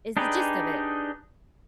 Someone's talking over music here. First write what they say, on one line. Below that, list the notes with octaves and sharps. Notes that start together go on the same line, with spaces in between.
is the gist of it.
D4 D#4 G4 G#4 B4